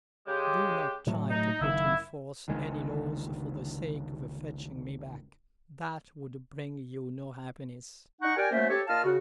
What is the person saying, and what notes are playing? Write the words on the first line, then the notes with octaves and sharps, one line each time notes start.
Do not try to put in force any laws for the sake of fetching me back: that would bring you no happiness.
C#3 G#3 G4
A2 F#3 A3
D#4
F#1 D#3 E4
G1 C#2 D#3 G#3
D#4 F#5 C#6
G4 A#4 D5 G5 G#5
F#3 A3 A#3 C#4 C5 E5
G4 A4 C#5
A#2 F4 D#5 F5 A5 F6
C#3 F#4